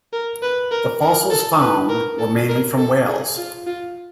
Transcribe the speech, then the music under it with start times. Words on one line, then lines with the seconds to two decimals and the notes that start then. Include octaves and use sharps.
The fossils found were mainly from whales.
0.13 A#4
0.42 B4
0.72 A#4
1.02 A#4
1.31 A4
1.60 B4
1.89 A#4
2.19 A4
2.49 A#4
2.78 A4
3.07 G#4
3.38 F4
3.67 F4